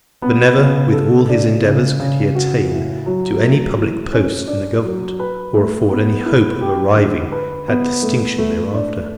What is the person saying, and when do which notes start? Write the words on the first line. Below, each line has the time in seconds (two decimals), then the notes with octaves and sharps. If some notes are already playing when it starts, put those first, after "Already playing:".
But never, with all his endeavours, could he attain to any public post in the government, or afford any hope of arriving at distinction thereafter.
0.22 B3
0.57 C#3
0.93 A4
1.29 D4
1.64 C#3
2.00 C#3
2.35 F#4
2.71 A2
3.06 F#3
3.41 A3
3.78 E3
4.12 C#4
4.48 D4
4.84 F#3
5.20 B4
5.54 A3
5.90 B3
6.26 E4
6.61 G4
6.96 D3
7.32 B4
7.68 B3
8.03 A3
8.38 A3
8.74 D4